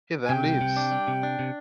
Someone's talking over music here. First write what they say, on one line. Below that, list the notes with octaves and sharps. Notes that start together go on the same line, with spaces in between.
He then leaves.
G#5
C3 G5
C2
C3
D4
G3
C3
D4
C3